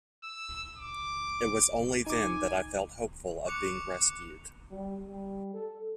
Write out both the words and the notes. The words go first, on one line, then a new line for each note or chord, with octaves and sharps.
It was only then that I felt hopeful of being rescued.
E6
D6
D#4 G#5 D6
C#6 D6 F#6 C#7 F7
G3
G3
A4